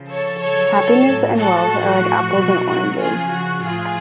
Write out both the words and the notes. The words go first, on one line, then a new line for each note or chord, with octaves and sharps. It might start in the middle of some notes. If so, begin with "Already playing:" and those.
Happiness and wealth are like apples and oranges.
Already playing: C#3 F3
A4 C#5
C#3 F#3 A4 C#5
A4 C#5
A2 F#3
F#4 A4
A2 F3 F#4
B2 F#3
F#4
C#3 F3 F4 G#4
F#4
A2 F3 F4 G#4